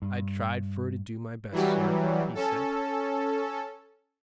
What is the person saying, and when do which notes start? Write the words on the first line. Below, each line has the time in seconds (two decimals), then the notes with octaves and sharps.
"I tried fer to do my best, sir," he said.
0.02 G2
1.52 E3 F#3 G3
2.35 C#4 A4